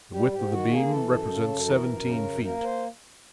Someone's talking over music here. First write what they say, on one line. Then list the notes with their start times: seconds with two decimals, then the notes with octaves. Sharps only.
The width of the beam represents seventeen feet.
0.12 G3 G4
0.32 G#2 G4
0.52 D#3 F#4
0.70 A#3 G#4
0.90 E3 A4
1.10 F#2
1.28 C#3
1.48 F#2
1.67 E3 A#4
1.86 F#2
2.05 C#3
2.25 F#2
2.44 A#3 A#4
2.63 C5